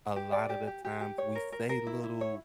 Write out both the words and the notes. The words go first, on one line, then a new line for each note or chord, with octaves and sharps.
a lot of the times, we say little
G4
D5
G4
G4
G4
G4
C#5
A#4
A#4
A#4
E4
E4
C#5